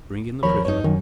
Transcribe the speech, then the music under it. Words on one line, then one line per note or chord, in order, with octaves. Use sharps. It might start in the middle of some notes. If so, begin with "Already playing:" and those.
"Bring in the prisoner."
D#2 F3 A#4 C#5 B5
G2 D#4 C#5
F#2 D#3